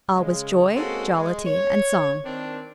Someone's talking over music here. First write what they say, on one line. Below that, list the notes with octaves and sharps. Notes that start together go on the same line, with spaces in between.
All was joy, jollity, and song.
C#3 G#3
G#3 A#3 C4 C#4 F#4 A4
G#3
C#5
D#3 C4 D4